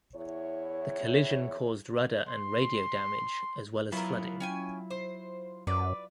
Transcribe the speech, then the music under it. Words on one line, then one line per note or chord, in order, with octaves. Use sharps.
The collision caused rudder and radio damage as well as flooding.
E2 E4 C#5
C6
F#3 B3 E4 F4 A#4
C#4 G5 G#5
C5
F#2 B4 D5